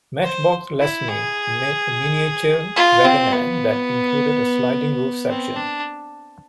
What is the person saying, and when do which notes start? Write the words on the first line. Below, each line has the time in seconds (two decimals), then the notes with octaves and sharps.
Matchbox-Lesney made a miniature Wagonaire that included a sliding roof section.
0.24 C5
0.80 E4
1.08 G#4
2.76 F4
3.05 C4
3.32 B3
5.29 C4
5.57 D4